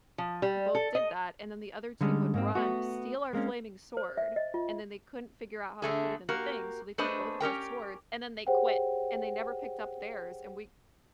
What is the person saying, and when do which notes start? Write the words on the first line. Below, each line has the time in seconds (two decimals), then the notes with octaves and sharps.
both did that, and then the other team would run, steal our flaming sword, and then they couldn't figure out how to put it in the thing, so they took both of our swords, and then they quit, and they never picked up theirs, and we
0.18 F3
0.42 G3
0.75 A4
0.95 D#5
2.01 D3 G3 G#3 C#4
2.34 G#2 A#3 C4
2.55 A3 B3 F#4
3.33 G#3 A#3 C4 C#4
3.97 C5
4.17 E5
4.36 D#5
4.54 F4
5.82 D3 A3 G#4
6.29 A#3 F#4 G4 A#4
6.98 A3 D4 G#4 B4 C5 D#5
7.40 C#4 G4 A#4 G5
8.47 G4 G#4 C5 C#5 F#5 G5